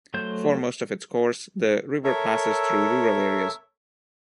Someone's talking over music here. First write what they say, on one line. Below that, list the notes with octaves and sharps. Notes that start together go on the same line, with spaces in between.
For most of its course, the river passes through rural areas.
F#3 A3 C5 G6
A4 A#4 C#5 E5